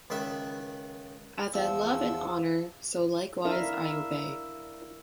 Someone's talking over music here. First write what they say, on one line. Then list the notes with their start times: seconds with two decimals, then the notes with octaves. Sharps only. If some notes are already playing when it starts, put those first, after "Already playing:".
As I love and honour, so likewise I obey.
0.10 C#2 D#3 B4 E5
1.54 E2 F3 E6
3.44 D4 E4 A#4 E5 F5